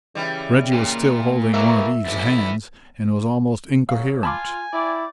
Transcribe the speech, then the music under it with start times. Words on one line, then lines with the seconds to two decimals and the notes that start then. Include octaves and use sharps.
Reggie was still holding one of Eve's hands and was almost incoherent.
0.15 C#3 E3 G3
0.73 A#2
1.54 B2 F#3 A#3 E5
2.06 G#1 E2 E4
3.89 C#3 F#3 F5
4.23 F4 G#5 A5 B5 D6
4.73 E4 D5 G5